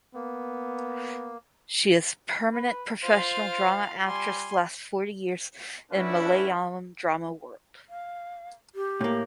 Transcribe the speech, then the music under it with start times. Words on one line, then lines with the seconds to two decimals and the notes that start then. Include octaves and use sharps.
She is permanent professional drama actress last forty years in Malayalam drama world.
0.15 A#3 B3
2.52 B4
3.03 F4 C5 F5
4.06 G3 G#5 C6
5.91 A3 C#4 D4 E4 F#4 B4
7.89 F5
8.75 G4
9.01 A2 A#3